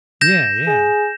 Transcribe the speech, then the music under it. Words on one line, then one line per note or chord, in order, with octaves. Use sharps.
Yeah. Yeah.
G6 A#6 E7
G#4